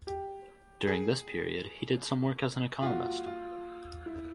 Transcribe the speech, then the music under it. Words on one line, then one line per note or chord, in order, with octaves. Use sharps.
During this period he did some work as an economist.
G4
G#4
F4
F#4
F4
E4